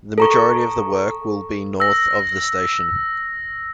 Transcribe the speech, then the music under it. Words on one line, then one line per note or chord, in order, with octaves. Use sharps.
The majority of the work will be north of the station.
A4 A#5 C#6
E6 A#6